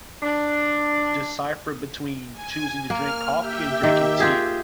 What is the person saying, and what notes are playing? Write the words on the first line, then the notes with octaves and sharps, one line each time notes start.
decipher between choosing to drink coffee and drinking tea?
D4
G#5
A#3 F6
G4 E5 G5
D#3
F4 G4 G#4